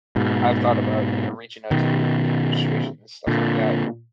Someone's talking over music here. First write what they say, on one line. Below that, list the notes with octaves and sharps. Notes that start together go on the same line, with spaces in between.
I've thought about, you know, reaching out to the administration and stuff like that, and
G#2 B2
B2 D#3
A#2 D3